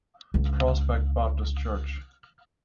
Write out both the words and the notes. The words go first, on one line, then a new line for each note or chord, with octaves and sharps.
Prospect Baptist Church.
C#2 D3